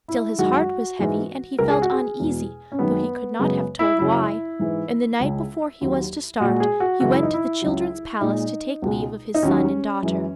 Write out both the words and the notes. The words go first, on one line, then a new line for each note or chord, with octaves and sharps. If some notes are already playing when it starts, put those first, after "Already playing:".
Still his heart was heavy, and he felt uneasy, though he could not have told why; and the night before he was to start he went to the children's palace to take leave of his son and daughter.
E4
F#2 D#3 G#3 F#4
G#2 E3 G#3
C#2 C#3 G#3 A#4
G#4
F#4
G#4
E2 B2 G#3
C#4
F#2 D#3 G#3 B3
F#2 C#3 G#3 B3
E4
F#2 C#3 F#3 E4
G#2 E3 G#3
C#2 C#3 G#3
D#2 D#3 F#3
A#2 G#3 F#4
G#4
F#4
F#2 C#3 E3 G#3 F#4
E4
D#4
E4
C#2 C#3 F#3
A#2 G#3 D#4
C#2 B2 G#3
D#4
D#2 D#3 F#3 C#4
F#2 E3 G#3